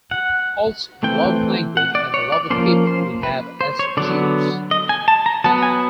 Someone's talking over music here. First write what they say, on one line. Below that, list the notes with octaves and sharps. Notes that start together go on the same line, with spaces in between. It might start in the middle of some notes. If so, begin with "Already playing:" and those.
Also, the love of language and the love of people we have as Jews.
F#5
E3 A3 C4 G5
F#5
D5
C#5
D5
F3 A#3 C#4 C5
C5
B4
C5
C#5
D3 F#3 B3 D5
D#5
G#5
A5
A#5
F#3 B3 A5
G#5